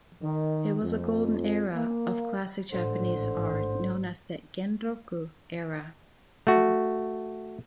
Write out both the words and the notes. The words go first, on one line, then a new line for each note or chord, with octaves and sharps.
It was a golden era of classic Japanese art, known as the "Genroku era".
D#3
F2
A#3
A1 G#2 D3 C5
A3 F#4